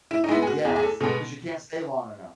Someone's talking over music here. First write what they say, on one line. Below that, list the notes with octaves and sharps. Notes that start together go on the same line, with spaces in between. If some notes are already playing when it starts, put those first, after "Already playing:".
Yes, 'cause you can't stay long enough.
E4
D#4
G#3 B3 E4
G#4
F#4
E2 G#4
G#4
A4
B2 G#3 B3 A4